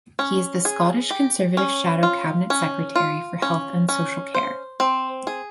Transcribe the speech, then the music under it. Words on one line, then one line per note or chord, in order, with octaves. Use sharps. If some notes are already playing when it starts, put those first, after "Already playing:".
He is the Scottish Conservative Shadow Cabinet Secretary for Health and Social Care.
C#4
G#4
G4
C#4
F4
C#4
F4
C#4
C#4
C5
C4
G#4